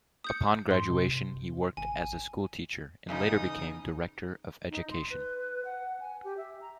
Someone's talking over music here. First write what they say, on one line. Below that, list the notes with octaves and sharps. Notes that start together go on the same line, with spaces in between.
Upon graduation, he worked as a school teacher and later became Director of Education.
D#6 G6 C#7
G#2 C6
C3
A1 G#5
E2 C#3 D#4 D#6
D#4
C6
B4
F#5
G#5
G4
E5
A#5